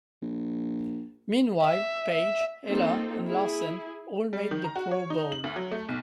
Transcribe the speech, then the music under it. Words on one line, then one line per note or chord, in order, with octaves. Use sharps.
Meanwhile, Page, Eller and Larsen all made the Pro Bowl.
A#1
E5
E5
A#3 C4 D#4 F4 A4
E4 G#4
G3
D#3
A#5
F#4
C#5
D#4
F#7
D2
F#3
A3
B1